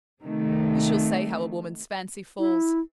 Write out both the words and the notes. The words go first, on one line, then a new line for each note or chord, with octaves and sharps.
Who shall say how a woman's fancy falls?
C3 D#3 A3
E4